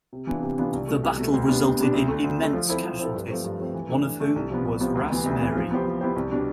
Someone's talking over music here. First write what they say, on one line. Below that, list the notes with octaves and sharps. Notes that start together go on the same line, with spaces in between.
The battle resulted in immense casualties, one of whom was Ras Marye.
C3
E3 B3 D4 F4
C3
E3 B3 D4 F4
C2
B2 A3
C2
B2 A3
D2
C3 G3 B3 D4
D2
C3 G3 B3 D4
D2
D3 A3
D2
D3 A3
F3
C4 E4 A4
F3
C4 E4 A4
G2
F3 A3 C4
G2
F3 A3 C4
E3
A3 D4
E3
A3 D4
C2
C3 F3 B3
C2
C3 F3 B3
D2
C3 E3 B3
D2
C3 E3 B3
F3
B3 E4 G4 C5
F3
B3 E4 G4 C5
C2
B2 G3 D4